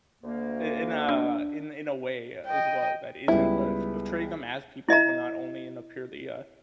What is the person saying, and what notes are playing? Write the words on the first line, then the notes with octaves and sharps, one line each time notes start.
i in a in in a way, uh, as well, that isn't of of treating them as people, but not only in a purely, uh,
D2 A#3
D4
D#5 G5
C#2 G3 B3 E4
E4 D#5 E5 A#5